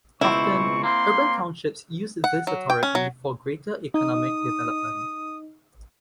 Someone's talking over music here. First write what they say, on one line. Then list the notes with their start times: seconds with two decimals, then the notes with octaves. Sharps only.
Often, urban townships use this authority for greater economic development.
0.21 C#2 B2 C4 E4 C#6
0.83 A#3 C4 C6
2.24 F#5
2.47 F#3
2.70 G5
2.83 C#4
2.95 F#3
3.94 D#4 D#6